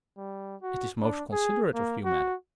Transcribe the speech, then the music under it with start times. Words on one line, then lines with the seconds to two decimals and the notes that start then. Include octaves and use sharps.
"It is most considerate of you, madam."
0.17 G3
0.62 F#4
1.01 D4
1.32 G#4
1.75 A#3
2.04 F#4